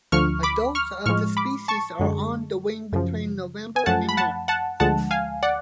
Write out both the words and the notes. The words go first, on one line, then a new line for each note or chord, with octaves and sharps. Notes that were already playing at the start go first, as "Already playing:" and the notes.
Adults of the species are on the wing between November and March.
D2 D3 F3 C#6 F6
B5 D6
C#6 F6
A2 F3 G#3 C#6 F6
B5 D6
A5 C#6
F#2 D3 G#3
F#2 C#3 F3
G#5
F#2 F3 A3 F#5 A5
B5
F#5 A5
F#5 A5
D2 D3 F3 G#3 F#5 A5
F5 G#5
D5 F#5